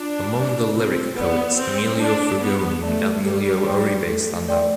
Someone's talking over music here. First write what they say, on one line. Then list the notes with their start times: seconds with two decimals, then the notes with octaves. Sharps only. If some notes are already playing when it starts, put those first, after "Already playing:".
Among the lyric poets, Emilio Frugoni and Emilio Oribe stand out.
Already playing: D4 F4
0.34 B4 D5
0.76 C4 F4
1.17 B3 B4 D5
1.58 C4 B4
2.00 D4 D5 A5
2.41 B3 B4
2.82 A3 D5 A5
3.24 G3 A4
3.66 D5 G5 C6
4.07 A3 A4
4.49 D5 G5 C6